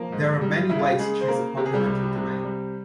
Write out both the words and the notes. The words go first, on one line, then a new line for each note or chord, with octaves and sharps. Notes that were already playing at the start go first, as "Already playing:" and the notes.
There are many ways to choose a fundamental domain.
Already playing: F3 A#3 A#4
G#2
G3
C#3 E4
F4
G4
C#3 G#3 G#4
C5
C#3 A#3 A#4
C3 G4
G#4
G3 G4
C2
C3
G3